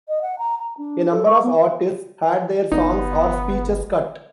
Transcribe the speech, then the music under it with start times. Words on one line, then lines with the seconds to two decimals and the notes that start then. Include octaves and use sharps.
A number of artists had their songs or speeches cut.
0.08 D#5
0.21 F#5
0.38 A#5
0.59 A#5
0.77 D4
1.10 A4
1.26 C#6
1.43 B3
2.72 G1 B3 D#4